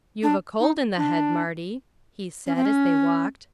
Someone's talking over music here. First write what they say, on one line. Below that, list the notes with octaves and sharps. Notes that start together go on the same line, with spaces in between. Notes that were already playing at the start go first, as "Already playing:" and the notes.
"You've a cold in the head, Marty," he said, as they walked.
D4
D#4
D4
C#4
C4
C#4